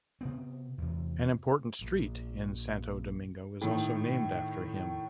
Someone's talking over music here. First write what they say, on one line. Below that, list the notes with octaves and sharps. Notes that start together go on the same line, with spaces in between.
An important street in Santo Domingo is also named after him.
C3 B3 C4
E2 C3
A#1
A2 D#3